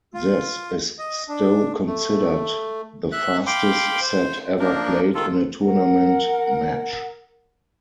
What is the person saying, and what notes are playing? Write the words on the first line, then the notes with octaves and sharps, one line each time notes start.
This is still considered the fastest set ever played in a tournament match.
F4
D#5
D4
A3
E5 F#6
F5 G5 B5 C6 D6
C5
F3 A#3 D4 A#4
D#3 F4 A4
A#4 F#5